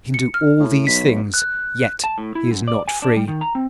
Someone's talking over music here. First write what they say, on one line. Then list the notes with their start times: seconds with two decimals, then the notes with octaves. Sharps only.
He can do all these things, yet he is not free.
0.14 C#7
0.34 F6
0.60 A2
0.87 B1 B6
1.34 F#6
2.04 A5
2.18 A2
2.35 E4
2.51 F#2
2.68 D5
2.88 G#5
3.02 D4
3.16 G3
3.28 D#3
3.41 A#5
3.55 C4